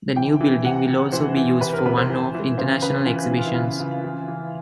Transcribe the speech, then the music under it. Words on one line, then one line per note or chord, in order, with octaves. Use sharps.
The new building will also be used for one-off international exhibitions.
E3 G5
E3
C3 F#5
C3
E3 C5
E3
C3 B4
A#4
C3 B4
C5
E3
E3
C#3 C5
C#3 B4
E3 F4
F4
E3
F4
E4
C#3 F4
C#3
E3
E3